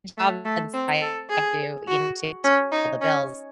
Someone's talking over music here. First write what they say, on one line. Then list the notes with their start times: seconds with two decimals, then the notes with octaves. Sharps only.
job since I have to, you know, to to pay the bills.
0.17 A3
0.45 A3
0.73 C4
1.01 A4
1.30 G#4
1.88 F#4
2.44 C#4
2.72 D#4
3.02 C#4